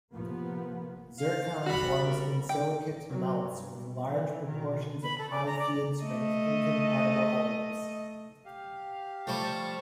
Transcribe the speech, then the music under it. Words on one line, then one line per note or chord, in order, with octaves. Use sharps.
Zircon forms in silicate melts with large proportions of high field strength incompatible elements.
C3 F3 A#3 B3
F5
G3 F#4 F#5 B5
A#4
G5 D6
F#3
G2
B2
E3
B2 D#3
B5
A4
D5
A#5
D5
A3 D#5
G4 F5
F3 G3 A3 A5 C#6